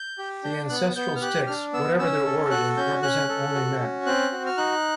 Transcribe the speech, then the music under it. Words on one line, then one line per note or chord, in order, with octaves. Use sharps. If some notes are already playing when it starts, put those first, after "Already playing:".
The ancestral sticks, whatever their origin, represent only men.
Already playing: G6
G4
D4 G6
B3 F#6
B3 G6
F6
G4 F#6
D4 F6
B3 E6
C#4 E6
A4
F#4 F#6
C#4 G6
C#4 F#6
A4
F#4
C#4
C4 F#6
F#4
F6
D#4 F#6